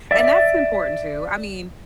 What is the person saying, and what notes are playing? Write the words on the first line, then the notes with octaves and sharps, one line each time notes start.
And that's important too, I mean,
D5 E5